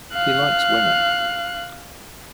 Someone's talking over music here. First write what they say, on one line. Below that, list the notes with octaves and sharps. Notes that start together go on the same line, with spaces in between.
He likes women.
F5 F#6